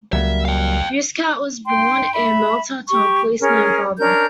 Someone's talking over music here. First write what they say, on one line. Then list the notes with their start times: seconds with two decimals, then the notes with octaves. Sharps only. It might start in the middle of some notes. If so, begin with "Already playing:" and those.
Muscat was born in Malta to a policeman father.
0.13 C#2 F#3 G3 A#3 E5
0.45 F5 G5
1.66 G5 C6
2.14 E5 B5
2.90 G4 C#6
3.40 C#4 G#4 A#4
3.98 C#4 D4 A#4 G6